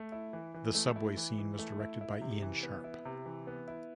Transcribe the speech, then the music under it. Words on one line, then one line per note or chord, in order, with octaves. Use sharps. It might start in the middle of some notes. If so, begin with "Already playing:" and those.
The subway scene was directed by Ian Sharp.
Already playing: A3
E4
E3
E3
A3
E4
E3
E3
A3
E4
E4
C3
E3
B3
E4
C3
E3
B3
E4